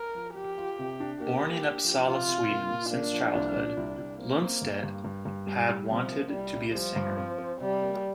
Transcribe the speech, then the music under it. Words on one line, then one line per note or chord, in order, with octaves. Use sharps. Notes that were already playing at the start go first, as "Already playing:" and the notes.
Born in Uppsala, Sweden, since childhood, Lundstedt had wanted to be a singer.
Already playing: A#4
F3
F3 G4
F4
C3
D4
A#3 G4
A#3
D4
F3
C3 F4
C3
A#3
A#2
A#3 D4
F3
C2
A#2
C2
C2
A#3 C4
C4
G2
G2
G2
G2
G3
G3
C3 F3
A#3
C2 G3
C2
F3 G3
G2
C4
C4
C3 G3
A#3